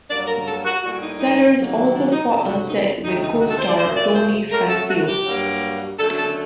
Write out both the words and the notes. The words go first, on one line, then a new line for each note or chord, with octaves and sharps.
Sellers also fought on set with co-star Tony Franciosa.
G2 F#3 A#3 D5
A#4
A4
F#4
A2 G3 A#3 F#4
D#4
D#4
D#2 D#3 F#3 A#3
D4
D#4
D2 C3 F#3 A3 D4
F#4
D#4
D2 C3 D#3 A3 D#4
D#4
F#4
A4
C5
D5
A#2 F#3 A3 C5
D5
C5
F#2 F#3 A3 A#4
A4
F#4
G4
G2 F#3 A#3
F#2 D3 A3 A4
A4